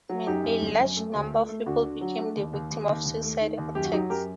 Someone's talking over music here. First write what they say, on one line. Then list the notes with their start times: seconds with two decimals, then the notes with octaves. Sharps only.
A large number of people became the victim of suicidal attacks.
0.09 F#3
0.27 F#2 D#4 G4
0.44 F#2
0.61 G1
0.79 F#2
0.97 A3
1.14 D2
1.31 A3
1.49 A3
1.66 D2 D4 F#4
1.83 D3
2.01 F#3
2.18 A3
2.36 D#2
2.53 D#2
2.71 D#2
2.88 D#2
3.05 D#2
3.23 A3
3.40 D#3
3.58 D#2
3.75 F#2 G4
3.85 F#4
3.92 F#3 D#4 G4
4.10 F#2 G4 A#4